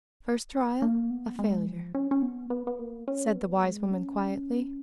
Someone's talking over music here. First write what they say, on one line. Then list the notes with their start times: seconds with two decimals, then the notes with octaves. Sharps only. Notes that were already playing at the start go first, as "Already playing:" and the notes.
"First trial a failure," said the wise woman quietly.
0.82 A#3
1.10 B3
1.39 G#3
1.67 F3
1.95 C#4
2.11 C#4
2.22 B3
2.50 B3
2.67 B3
2.79 A#3
3.08 C#4
3.36 B3
3.63 G#3
3.91 C#4